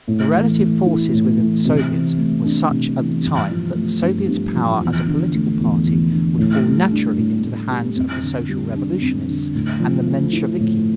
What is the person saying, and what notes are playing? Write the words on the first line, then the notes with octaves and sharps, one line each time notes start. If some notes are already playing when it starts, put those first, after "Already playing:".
The relative forces within the Soviets were such at the time that the Soviet's power as a political party would fall naturally into the hands of the Social-Revolutionists and the Mensheviki.
A2
E3
A3
E4
A2
E3
C3
E3
A3
D4
C3
E3
G2
F3
A3
G2
G2
F3
E2
D3
A3
E2
E2
D3
A2
G3
D4
A2
A2
G3
F2
D3
G3
D4
F2
D3
A2
F3
A3
E4
A2